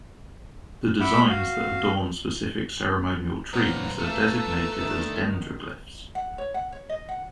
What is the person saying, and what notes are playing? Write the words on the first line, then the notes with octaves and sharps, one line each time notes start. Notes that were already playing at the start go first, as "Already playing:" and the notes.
The designs that adorn specific ceremonial trees are designated as 'dendroglyphs.
E5 F#5 B5 D6
F#4 F5
A#2 F#3 A#3 C4 B4 F#5 A#5
F#2 A3 A#3 A5 E6
D3 D#3
F#5
C#5
F#5
C#5
D#5
F#5